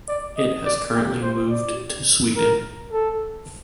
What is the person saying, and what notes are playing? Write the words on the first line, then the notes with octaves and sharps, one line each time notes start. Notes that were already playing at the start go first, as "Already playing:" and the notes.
It has currently moved to Sweden.
D5
D#5
D5
G4
C5
D5
A#4
A4